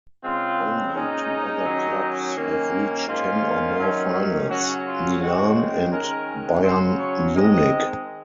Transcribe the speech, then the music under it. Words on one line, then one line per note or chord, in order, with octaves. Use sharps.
Only two other clubs have reached ten or more finals: Milan and Bayern Munich.
C#3 G#3 C4 F4
A#2 G#3 C#4 D#4
D#3 F#3 C#4
F#2 D#3 A#3 C#4
G#2 D#3 A#3 C#4 F4
F#2 D#3 F#3 C#4
C#3 F#3 C#4 F#4
F4
F#2 C#3 G#3 C4 F#4
D#3 G#3 C#4 A#4
C#3 F#3 C#4 C5
C#5
D#3 G#3 C4 D#5